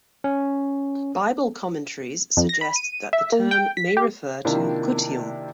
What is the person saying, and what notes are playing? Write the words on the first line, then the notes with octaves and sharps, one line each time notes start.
Bible commentaries suggest that the term may refer to Gutium.
C#4
F2
A#6
B5
D#7
E5
A#3
G5
B6
G4
C3 D#3 A#3 D4 E4 F4